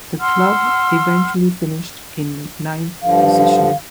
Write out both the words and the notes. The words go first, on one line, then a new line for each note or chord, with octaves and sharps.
The club eventually finished in ninth position.
F#5 C6 E6 F6
G2 D3 F3 F5